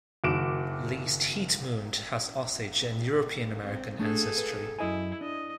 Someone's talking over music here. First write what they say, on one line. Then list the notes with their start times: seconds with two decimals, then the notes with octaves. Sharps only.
Least Heat-Moon has Osage and European-American ancestry.
0.24 F#1 D#3 F#4 D6 D7 E7
3.63 C4
3.99 A3 D4 G#4 A4
4.38 B4
4.79 F#2 E4 D#5 G#5
5.21 D4 D#5